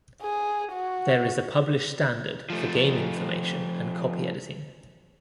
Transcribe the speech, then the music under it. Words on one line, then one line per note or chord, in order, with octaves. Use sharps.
There is a published standard for game information and copyediting.
G#4
F#4
F3 A3